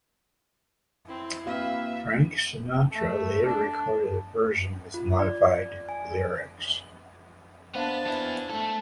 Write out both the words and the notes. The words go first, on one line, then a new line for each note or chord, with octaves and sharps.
Frank Sinatra later recorded a version with modified lyrics.
C4 E4
A#3 C4 F#4 B4 E5 F5
A3
D4
F4
D5
G#5
A#3 B3 D4 C5 F5 A5
B3 E4 C5
A3 A4 A5